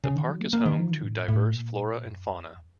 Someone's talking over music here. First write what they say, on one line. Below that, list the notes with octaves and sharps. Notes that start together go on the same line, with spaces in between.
The park is home to diverse flora and fauna.
C#3
D#3
F#3
A#3
A#3
D#3
F3
D#3
A2
A2
A#2
F#2
F2